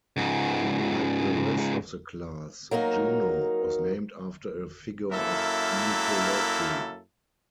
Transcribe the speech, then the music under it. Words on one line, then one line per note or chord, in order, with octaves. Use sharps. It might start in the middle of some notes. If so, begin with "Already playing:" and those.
Like the rest of the class, "Juno" was named after a figure of mythology.
C#2 G#2
F#3 A#3 D#4 A#4
F#2 A#3 E4 A4 E5